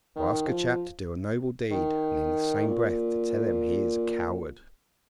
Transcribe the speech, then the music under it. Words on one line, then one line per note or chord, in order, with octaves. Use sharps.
To ask a chap to do a noble deed and in the same breath to tell him he is a coward!
D#3
F3
D#3
A#2